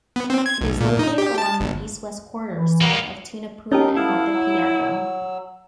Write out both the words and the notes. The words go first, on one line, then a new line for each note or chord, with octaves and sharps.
It is located along the "East-West Corridor" south of Tunapuna and north of Piarco.
B3
C4
G#6
B1
A#2
D#4
G4
A5
G1
E3
A#3 B3
C#4 D#4 G4 A4 A#4
B3 E4 A4 F5
F#3 E6